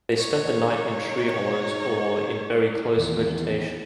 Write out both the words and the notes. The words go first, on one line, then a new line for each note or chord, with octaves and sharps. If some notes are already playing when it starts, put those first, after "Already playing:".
They spend the night in tree hollows or in very close vegetation.
D#4 C#5
E2 D#3